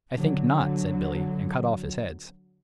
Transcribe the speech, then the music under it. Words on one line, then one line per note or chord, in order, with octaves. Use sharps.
"I think not," said Billy, and cut off his heads.
D3 F#3